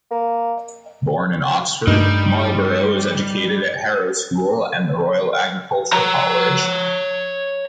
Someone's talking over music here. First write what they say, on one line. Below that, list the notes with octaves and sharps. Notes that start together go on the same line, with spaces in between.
Born in Oxford, Marlborough was educated at Harrow School and the Royal Agricultural College.
A#3
G2 G3 A3 D#4
C#5 A#5